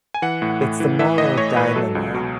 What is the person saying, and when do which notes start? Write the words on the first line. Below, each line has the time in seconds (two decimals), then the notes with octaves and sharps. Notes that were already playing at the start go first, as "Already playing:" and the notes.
I It's the moral dilemma,
0.14 G#5
0.22 E3 F#5
0.42 A2
0.61 A2
0.80 E3
0.99 E3 E5
1.18 A2 D#5
1.37 A3 C#5
1.56 A2 B4
1.76 F#3 A4
1.95 C#2
2.14 B2